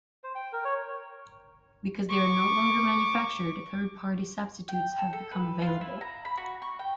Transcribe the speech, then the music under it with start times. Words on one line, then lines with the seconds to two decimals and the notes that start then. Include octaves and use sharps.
Because they are no longer manufactured, third-party substitutes have become available.
0.24 C5
0.35 G5
0.53 A#4
0.65 C#5
2.09 C#6 D6
4.69 G5
4.98 A4
5.13 A4
5.31 B4
5.62 F4
5.81 E4
6.01 A#5
6.25 B5
6.37 F#4
6.62 C#6
6.79 G5